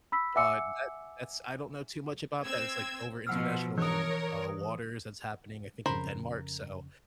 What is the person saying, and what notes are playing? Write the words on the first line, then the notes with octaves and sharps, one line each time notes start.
but that's that's I don't know too much about that. It's like over international, uh, waters that's happening, I think in Denmark, so.
B5 E6 B6
E5 F#5 G#5 D6 E6 C#7
C4 E6 G#6
B2 F3 F#5 E6 F6
E3 A#4 C#5 D#6
F2 C#3 A#4 C5 B5